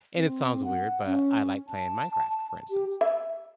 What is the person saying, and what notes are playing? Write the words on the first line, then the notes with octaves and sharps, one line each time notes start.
and it sounds weird, but I like playing Minecraft, for instance,
C4
F#5
C#4
A5
G4
E5